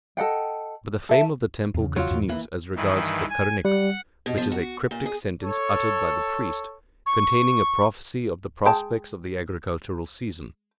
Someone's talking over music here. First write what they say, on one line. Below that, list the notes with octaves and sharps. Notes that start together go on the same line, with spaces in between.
But the fame of the temple continues as regards the Karanika, which is a cryptic sentence uttered by the priest, containing a prophecy of the prospects of the agricultural season.
A4 D#5 F#5 G5
A4 E5 A5
E2 C#3
F#3 F4
E2 G#2
E3 A#3
G2 D#3 E3
G#5
G3 F#5
B2
F3
F#4
A#2
G#4
A4 C#5
C#6
G#3 G5 A5